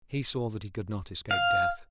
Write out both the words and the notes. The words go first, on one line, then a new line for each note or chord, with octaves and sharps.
He saw that he could not escape death.
F5